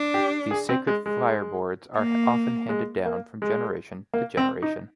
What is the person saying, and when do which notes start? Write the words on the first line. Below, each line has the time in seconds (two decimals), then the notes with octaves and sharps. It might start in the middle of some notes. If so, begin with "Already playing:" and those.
These sacred fireboards are often handed down from generation to generation.
Already playing: D4
0.14 G4
0.51 G#4
0.69 C4
0.87 G#3
1.06 G#3
1.96 A#3
2.69 G#3
3.05 A#3
3.42 G#3
4.14 A#3
4.37 C4
4.62 D#4